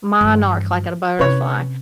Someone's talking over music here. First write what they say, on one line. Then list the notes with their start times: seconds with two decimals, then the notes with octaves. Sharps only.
Monarch, like in a butterfly.
0.21 G2 E3
1.19 C3 C#4 B4 C#5